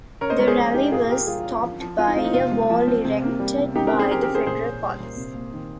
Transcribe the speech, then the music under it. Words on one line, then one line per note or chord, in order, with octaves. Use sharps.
The rally was stopped by a wall erected by the Federal Police.
C#3 A#4 C#5
C5 D#5
G#3 A#4 C#5
G#4 C5
F3
C#4 D#4 G4
A#2 F4 G#4
A#3 G4 A#4
G3 F4 G#4
F4
C#4
F4
F3
F3
C4 F4
D#4
C4 F4
D#4
C3 F4
G#3
F3
C4
C3
A#3
G3
C3
C#3 D#4 G4
G4 A#4
C4
G#4 C5
F3 G4 A#4
G4 A#4
C#3
G#4 C5
A#2 G#4 C5
C#4
G3
A#2
C3
A#3
D#3